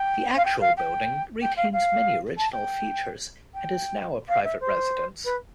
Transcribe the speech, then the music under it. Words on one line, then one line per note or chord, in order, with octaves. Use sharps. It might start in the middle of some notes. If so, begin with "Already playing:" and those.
The actual building retains many original features and is now a private residence.
Already playing: G5
F5
G5
F5
G5
G5
F5
F5
A5
G5
G5
F5
E5
C5
B4